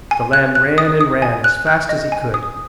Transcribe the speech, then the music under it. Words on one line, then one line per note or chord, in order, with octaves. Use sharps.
The lamb ran and ran as fast as he could.
G#5
F#6
F#6
D#6
D#6
G#5
F#6
F#6
D#5
G#5
D#6